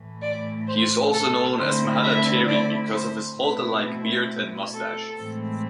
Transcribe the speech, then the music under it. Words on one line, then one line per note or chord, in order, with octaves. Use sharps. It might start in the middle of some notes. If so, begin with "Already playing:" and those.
He is also known as "Mahaletere" because of his halter-like beard and mustache.
Already playing: A2 E3 A3
D5
C5
A4
D3 A3 C4 E4 C5
E5
D5
C5
B2 A3 C4 E4 B4
A4
A2 E3 G#3 C4